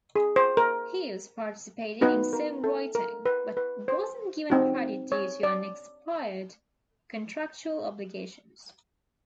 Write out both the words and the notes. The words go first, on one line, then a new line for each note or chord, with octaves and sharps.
Hughes participated in song-writing, but wasn't given credit due to unexpired contractual obligations.
G#4
C5
A#4
B3 D#4 F#4 B4
A#4
A4
A#4
B4
B4
C5
C4 D#4 F#4
C#5
D5